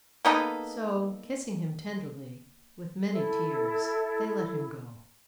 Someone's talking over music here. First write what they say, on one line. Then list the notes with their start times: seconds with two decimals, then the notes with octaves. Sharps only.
So, kissing him tenderly, with many tears they let him go.
0.25 A#3 B3 D#4 A4
3.10 E4 A4